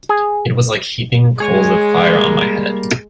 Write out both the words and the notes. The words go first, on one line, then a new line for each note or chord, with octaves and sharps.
It was like heaping coals of fire on my head.
G#4
G#3 G#4 C#5 G#5
G3 A#3 A#4